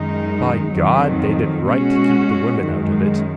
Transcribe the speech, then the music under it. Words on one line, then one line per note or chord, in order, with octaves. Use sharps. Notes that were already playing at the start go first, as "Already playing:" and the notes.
By God they did right to keep the women out of it.
Already playing: F#2 D#3 G#3 D#4
F2 D#3 F#3
B2 G#3 C#4 F#4
F#2 D#3 G#3